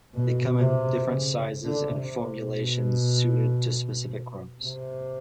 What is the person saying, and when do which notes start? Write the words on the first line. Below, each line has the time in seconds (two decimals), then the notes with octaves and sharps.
They come in different sizes and formulations suited to specific crops.
0.15 B2
0.60 C3
1.05 C#3
1.64 D3
1.94 C3
2.40 B2
4.64 C3